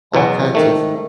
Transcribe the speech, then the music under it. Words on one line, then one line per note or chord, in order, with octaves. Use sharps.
all kinds of,
E2 B2 F#3
G#2 D#3 A3